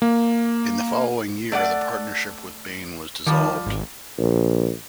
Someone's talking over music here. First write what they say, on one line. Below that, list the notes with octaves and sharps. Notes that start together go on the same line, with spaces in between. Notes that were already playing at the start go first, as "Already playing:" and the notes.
In the following year the partnership with Baine was dissolved.
A#3
A3 D5 F#5
D#3 F3 G3
G#1
A#1